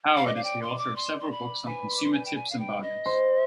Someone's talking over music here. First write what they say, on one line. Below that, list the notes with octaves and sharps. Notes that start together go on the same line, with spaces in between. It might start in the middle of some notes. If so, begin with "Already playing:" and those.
Howard is the author of several books on consumer tips and bargains.
F5
D5 D#5
F5
G5
C6
D6
C6
C6
B5
B4 G#5
C6
D6
C6
G#5
G5
G#5
F5
G5
D#5
C5